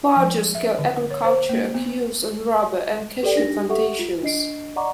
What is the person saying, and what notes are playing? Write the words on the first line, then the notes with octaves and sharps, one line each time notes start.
Larger-scale agriculture occurs on rubber and cashew plantations.
F3
E5
D3
C#5
C5
A#3
B3
G4 A4 B4 D5 G5
D4 D#4 G4 A#6
G4 A4 E5 F#5 C#6
F4
D4 D#5 C7 D7
D5 D#5 F#5 A#5 C#6 D6